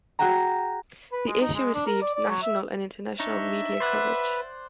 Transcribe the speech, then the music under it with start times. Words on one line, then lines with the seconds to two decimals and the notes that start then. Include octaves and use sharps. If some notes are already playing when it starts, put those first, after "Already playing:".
The issue received national and international media coverage.
0.19 F#4 G#4 F#5 G5 A#5
1.12 B4
1.27 G#3
1.41 D#4
1.55 G#3
1.74 D4
1.86 A#4
2.02 D5
2.15 D5
2.29 F#3
2.42 E5
3.20 D4 D#4 C#5 E5
3.80 B4 C5 D5 F#5